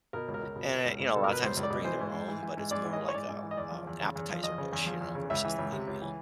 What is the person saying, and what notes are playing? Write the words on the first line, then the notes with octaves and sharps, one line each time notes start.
And, eh, you know, a lot of times, they'll bring their own, but it's more like a, um um, appetizer dish, you know, versus the main meal.
B2 A#4
C#2
A#4
C#2
B2
B2
C#2
C#2
B2 A4
A#4
B2 B4
C#2 C5
C#2
D5
B2
E3 C5
G#2
G#2
E3
E3
G#2
G#2 D5
E3
D#5
E3
C#5
G#2 D5
G#2
E3
D#5
E2 D5
F3
E2
C#3
E2
F3
E2 D#5
C#3
E2
F3
E2
C#3
C#2 E5
E3
C#2
C3
C#2
E3